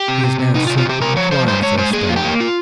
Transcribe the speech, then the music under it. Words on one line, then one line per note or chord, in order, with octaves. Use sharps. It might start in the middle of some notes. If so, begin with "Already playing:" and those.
He is now seemingly quiet for a spell....
Already playing: G4
C3
C3
C3
C3 D#4
F4
C3
F4
C3 G4
C3 A#4
F3 C#5
F3 C5
G2 C5
G#3 C#5
G#3 C5
A#3 G#4
F2 F4
G4
A#3
F4